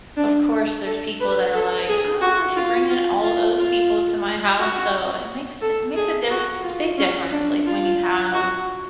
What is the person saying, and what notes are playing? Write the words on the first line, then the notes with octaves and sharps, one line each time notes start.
of course, there's people that are like, "Oh, whatcha you bringing all those people to my house." So it makes it makes a diff big difference, like, when you have
D4
A4
B4
A4
G#4
F#4
F4
F4
F4
F4
F#4
A4
G#4
F#4
F4
C#4
D4
F4
F#4